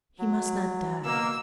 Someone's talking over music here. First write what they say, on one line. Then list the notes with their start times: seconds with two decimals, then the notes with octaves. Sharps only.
He must not die.
0.19 F#3
1.05 B2 A#3 E6